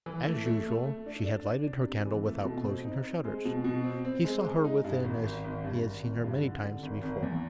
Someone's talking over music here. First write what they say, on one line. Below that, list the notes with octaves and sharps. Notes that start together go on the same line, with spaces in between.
As usual she had lighted her candle without closing her shutters; he saw her within as he had seen her many times before.
E3
A3
A3
A3
A3
D4
D4
D4
D4
C3
E3
A3
B2
C4
D#4
C4
G#3
B2
B2
C4
C4
G#3
G#3
D#4
G2
G#1
G#1
G#1
G2
G#1
G#1
G2
D3
D3
G#1
G#1
E2